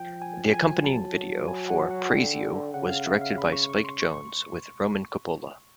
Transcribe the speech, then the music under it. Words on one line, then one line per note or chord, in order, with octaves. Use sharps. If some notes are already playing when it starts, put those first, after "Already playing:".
The accompanying video for "Praise You" was directed by Spike Jonze with Roman Coppola.
Already playing: F3 G5
G#5
G#5
F#3 A5
G#5
F#5
F#5
D3 G5
C#3 F#5
F5
E5
F5
B5
C#6
C#6
C6
C#6